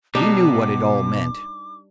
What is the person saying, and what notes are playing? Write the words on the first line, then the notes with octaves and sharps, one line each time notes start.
He knew what it all meant.
B2 G3 D4 D#4 D6